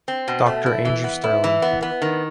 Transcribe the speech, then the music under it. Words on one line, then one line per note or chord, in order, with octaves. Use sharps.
Doctor Andrew Stirling.
C4
B2
A3
E4
E3
B3
E4
E3
B3
B3
D#3